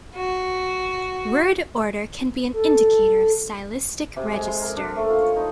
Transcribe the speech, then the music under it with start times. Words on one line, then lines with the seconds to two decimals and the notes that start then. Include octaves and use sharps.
Word order can be an indicator of stylistic register.
0.15 F#4
2.52 A4
4.16 C3
4.32 G#3
4.46 C6
4.61 A#4
4.76 D4
4.96 A3
5.09 F4
5.22 C#5
5.36 D#4